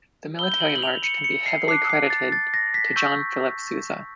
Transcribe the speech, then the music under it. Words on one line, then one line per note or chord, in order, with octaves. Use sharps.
The military march can be heavily credited to John Philip Sousa.
B5 E6 G6 G7
G7
F#7
F#7
F7
C#7
C#7
C7
A5 D6 F#6 C7
C7
A6
A6
A#6
B6
C#6 E6 G6